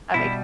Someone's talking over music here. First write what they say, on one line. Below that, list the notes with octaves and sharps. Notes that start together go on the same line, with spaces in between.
That makes
B2 G3 E4